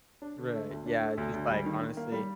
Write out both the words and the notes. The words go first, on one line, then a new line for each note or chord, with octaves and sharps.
Right, yeah, just, like, honestly,
D4
D3
A3
D2
D4
A3
D2
D2
G3
D#3
D#3
A#3
G3